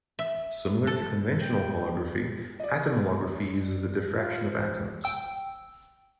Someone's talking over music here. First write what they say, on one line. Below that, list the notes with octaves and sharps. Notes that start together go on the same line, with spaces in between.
Similar to conventional holography, atom holography uses the diffraction of atoms.
E5
A4
G5
D5 D#5
F4
C5
G5 E6